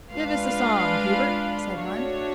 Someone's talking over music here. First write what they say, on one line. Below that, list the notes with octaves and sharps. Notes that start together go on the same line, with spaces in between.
"Give us a song, Hubert," said one.
G#3 D4 F4 B4 F5
A3 D4 F#4 C#5